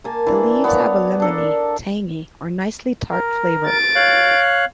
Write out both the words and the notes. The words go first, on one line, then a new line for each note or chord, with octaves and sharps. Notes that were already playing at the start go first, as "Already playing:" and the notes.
The leaves have a lemony, tangy or nicely tart flavor.
A#3 G#5 A5
E3 D4
B3 C#5 D5 F5
D4 A4 A#4
A#4
A6 D7
C#5 F5 F#6